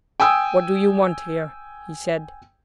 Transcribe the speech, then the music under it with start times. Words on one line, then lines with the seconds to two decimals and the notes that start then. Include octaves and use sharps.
"What do you want here?" he said.
0.20 G5 G#5 D#6 E6